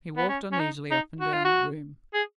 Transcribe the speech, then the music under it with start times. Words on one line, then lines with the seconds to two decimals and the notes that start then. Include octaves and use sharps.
He walked uneasily up and down the room.
0.17 B3
0.29 C#4
0.52 C#4
0.60 D#4
0.91 D#4
1.20 F#4
1.33 F4
1.44 F#4
2.14 G#4